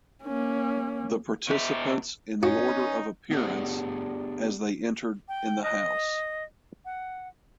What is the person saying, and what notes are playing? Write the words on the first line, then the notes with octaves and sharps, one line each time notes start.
The participants in the order of appearance as they entered in the house.
A#3 C#4
B2 E5
C#4 D#4 F#4
B3 D4 G4 G#4 D5
G5
D#5
F#5